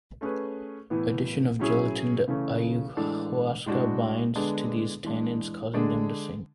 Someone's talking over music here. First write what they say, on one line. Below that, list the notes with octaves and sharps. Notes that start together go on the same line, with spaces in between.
Addition of gelatin to ayahuasca binds to these tannins, causing them to sink.
A3 C#4 G#4 B4
A2 E3 B3
A2 F#3 C#4 E4 G#4
C#3 E3 A3 C#4
A2 E3 G#3 D4 A4
A2 G#3 D4 F#4
D3 G#3 B3 D4 G#4
E3 G#3 D4
D3 G#3 D4 G#4